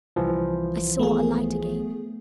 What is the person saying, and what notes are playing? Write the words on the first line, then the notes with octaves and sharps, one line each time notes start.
I saw a light again.
C2 E3 F3
A3 B3 G#4